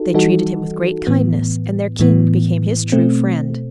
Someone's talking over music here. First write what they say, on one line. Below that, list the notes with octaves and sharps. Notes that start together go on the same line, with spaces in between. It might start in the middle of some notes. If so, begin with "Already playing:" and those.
They treated him with great kindness and their king became his true friend.
Already playing: D#4 F#4 A4
E3 G3 D#4 F#4 A4
A2 E3 B3
A2 E3 B3
B2 A3 C4